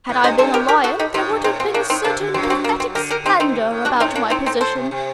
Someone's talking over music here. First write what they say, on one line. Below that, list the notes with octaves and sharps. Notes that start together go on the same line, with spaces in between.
Had I been a lion there would have been a certain pathetic splendour about my position.
A2
G2 C5 D#5
G2 A4 C5
A2 G4 A#4
G4 A#4
F#4 A4
D#4 G4
A2 C4 D#4
G2
A2 C4 D#4
A#2 C4
A2 A#3 D4
A2 C4 D#4
C3 A#3 D4
D3
F#2 F#3 C4
A#3
C4
A#3
C4
D3 G4 A#4
G4 A#4
C4 D#4
C4 D#4
D3
C3
A2
G2 D4 F#4
A2 C4 D#4
A#3 D4
C4 D#4
C4 D#4
A4 C5
C3
C3